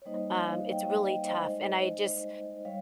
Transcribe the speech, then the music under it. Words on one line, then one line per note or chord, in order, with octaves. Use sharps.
Um, it's really tough, and I just
C#5
G3 A#3 D#4 C5 D#5
C#5 F5
D#5 G5
D#5
F5
C5 D#5
G#3 D#4
G3 C#5 F5